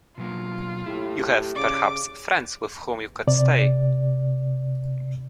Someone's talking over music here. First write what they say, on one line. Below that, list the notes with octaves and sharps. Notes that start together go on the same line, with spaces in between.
You have, perhaps, friends with whom you could stay?
B2 F#3 A#3 F4
A2 E4 G4
C#3 D5 D6
C3 D5